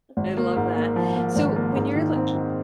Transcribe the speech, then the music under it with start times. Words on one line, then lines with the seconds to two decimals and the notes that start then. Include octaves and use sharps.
I love that. So when you're, like,
0.17 G#1
0.37 A#3
0.56 G#2
0.76 A#3
0.96 F3
1.16 A#3
1.36 G#1
1.56 A#3
1.76 G#2
1.96 D#3
2.16 C4
2.35 D#3